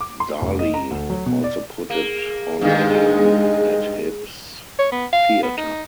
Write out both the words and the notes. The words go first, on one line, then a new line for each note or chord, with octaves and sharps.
Daly also put it on again at his theatre.
D6
C6
F1
D#5
A#5
D2
F#3
B2
D5
A#3 G#4
G2 D#3 G#3
C#5
B3
F5
B3
D#4